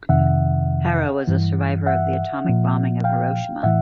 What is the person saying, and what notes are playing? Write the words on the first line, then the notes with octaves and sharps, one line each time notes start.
Hara was a survivor of the atomic bombing of Hiroshima.
F2 C3 D#3 E5 F#5
G2 E3
E5 F#5
A#2 F3
F5 G5
A2 E3 E5 F#5